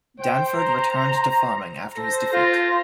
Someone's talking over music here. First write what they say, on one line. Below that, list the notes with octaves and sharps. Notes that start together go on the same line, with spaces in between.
Danford returned to farming after his defeat.
C5 G5
A#5
A4 C5 A#6
F4